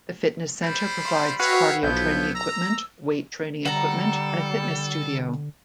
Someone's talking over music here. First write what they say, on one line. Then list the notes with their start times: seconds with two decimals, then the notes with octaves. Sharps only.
The fitness centre provides cardio training equipment, weight training equipment, and a fitness studio.
0.62 G3 C5 B5
1.05 F5 C6
1.40 F#4 B4 C#5 E5 F5 G5 F#6
1.83 B1 F3 B3 E4 G6
2.35 A#5 E6
3.65 D3 G3 A4 F#5 A#5